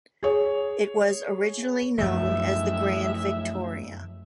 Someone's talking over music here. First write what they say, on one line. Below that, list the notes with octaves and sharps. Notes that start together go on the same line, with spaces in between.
It was originally known as the "Grand Victoria".
G#4 C#5
F#2 A2 F3 G#3 A3 E5